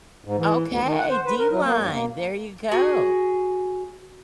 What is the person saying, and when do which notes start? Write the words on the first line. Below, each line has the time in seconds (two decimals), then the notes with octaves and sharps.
Okay. D line. There you go.
0.25 G#2
0.38 E3
0.67 D2
0.83 D#3
0.98 F#5
1.10 C5
1.26 B4
1.39 A#4
1.51 F#3
1.65 A#3
1.80 G2
1.92 A#3
2.71 F#4 G#4 G#5